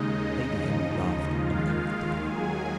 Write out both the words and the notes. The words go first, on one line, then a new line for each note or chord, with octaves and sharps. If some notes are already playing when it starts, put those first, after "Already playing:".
Lady Henry laughed uncomfortably.
Already playing: D#2 C#3 G#3 D#4 D#5
D#2 C#3 F3
D#2 D#3 G#3 F4 F5
F4 F5
D#2 D#3 F#3 G#4 G#5